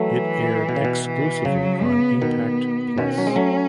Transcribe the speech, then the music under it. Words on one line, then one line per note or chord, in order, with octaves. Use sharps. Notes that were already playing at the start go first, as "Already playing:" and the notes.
It aired exclusively on Impact Plus.
Already playing: E3 F#3 A3
B2
C#3
B2
E3
C#3 F#3
B3
B2 D#3 B3
B2 D#3 C#4
F#3
G#3
F#3 A3